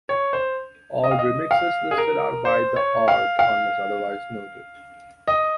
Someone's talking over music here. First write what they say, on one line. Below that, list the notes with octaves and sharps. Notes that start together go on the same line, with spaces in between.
All remixes listed are by The Orb unless otherwise noted.
C#5
C5
D#5
F5
D#5
F5
G#4
A#4
C5
C#5
F5
F5
D#5